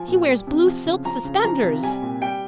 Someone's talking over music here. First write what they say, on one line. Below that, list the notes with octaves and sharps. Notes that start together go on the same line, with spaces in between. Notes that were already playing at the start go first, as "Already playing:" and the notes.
"He wears blue silk suspenders."
Already playing: F3 G#5
A#2
G3
C3
F3
C#3
F3 A#5
C#3
F3 A#5
C3
G3 G#5
A#2
G3 G5